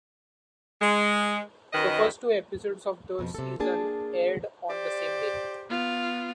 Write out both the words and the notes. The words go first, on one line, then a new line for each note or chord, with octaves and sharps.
The first two episodes of the season aired on the same day.
G#3
F#2 D#3 B4 D#5
F2 B2 F3
C3 A4
A#3 D4 G#4 A5
G4 C5 D5
B3 F4